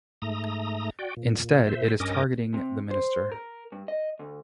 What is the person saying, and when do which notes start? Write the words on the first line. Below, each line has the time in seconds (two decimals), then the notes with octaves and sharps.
Instead, it is targeting the minister.
0.22 G#2 A3 A#5 D#6
0.99 F#4 D5 G5
1.17 A#2
1.66 A#2 C5 E5
2.00 G2 C#4 A#4 D#5 D6 D#6
2.54 C3
2.91 C5
3.32 A#4
3.72 G2
3.88 D#5
4.19 D2